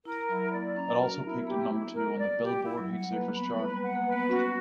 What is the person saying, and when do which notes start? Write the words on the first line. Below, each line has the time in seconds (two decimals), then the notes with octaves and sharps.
It also peaked at number two on the "Billboard Heatseekers" chart.
0.05 E4 A#4
0.29 F#3 E4
0.53 A#3 D5
0.76 C#4 A#5
0.94 F#4
1.00 A#4
1.12 D4
1.24 E4
1.30 B3
1.47 A#3 G4
1.70 E4
1.94 A#4
2.18 D5
2.41 G4
2.65 E4
2.77 F#3
2.89 G3 F#5
3.12 A#3 B4
3.35 B3 B5
3.53 G3
3.59 A#3 B4
3.77 G3
3.83 F#5
3.95 A#3
4.06 B4
4.12 B3
4.23 B3
4.29 C#4 F#4